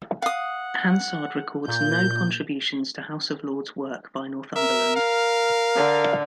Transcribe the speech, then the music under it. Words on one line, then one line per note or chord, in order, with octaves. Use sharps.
Hansard records no contributions to House of Lords work by Northumberland.
F5 F#5 D#6
A#2 G6
A#4 E5
F5
D3